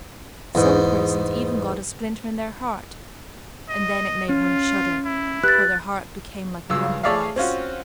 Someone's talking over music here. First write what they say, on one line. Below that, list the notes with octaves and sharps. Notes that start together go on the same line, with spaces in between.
Some persons even got a splinter in their heart, and then it made one shudder, for their heart became like a lump of ice.
E2 G#2
D#5
C#4 F4
E4
G4 B4 F#6 A6
C#2 G2 C#3 E6
A3 G#4 C#5 D5 E5 F5
C4 C#4 F4 F#4